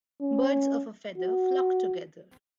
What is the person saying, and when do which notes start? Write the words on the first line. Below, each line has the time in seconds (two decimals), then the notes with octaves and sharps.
Birds of a feather flock together.
0.21 C#4
1.18 F#4